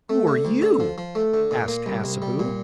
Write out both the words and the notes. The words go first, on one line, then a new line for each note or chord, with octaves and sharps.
'Who are you?' asked Hassebu.
A3
D3
D2
D3
F3
F3
A3
D3
A#2
A#3
C2
C2
G3
A#2